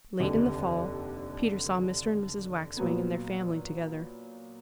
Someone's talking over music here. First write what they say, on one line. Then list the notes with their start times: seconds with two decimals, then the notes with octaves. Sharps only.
Late in the fall Peter saw Mr. and Mrs. Waxwing and their family together.
0.19 F1 D#2 D3
2.77 A#2 F#3 B3